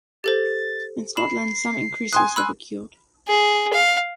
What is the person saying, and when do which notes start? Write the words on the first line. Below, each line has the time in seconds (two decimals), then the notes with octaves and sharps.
In Scotland some increases have occurred.
0.24 G4 A4 C5 A6
1.17 B5 C7 E7
2.13 G#5 C6 D#6 F#6
2.36 B5 E6 F#6
3.28 G#4
3.73 F5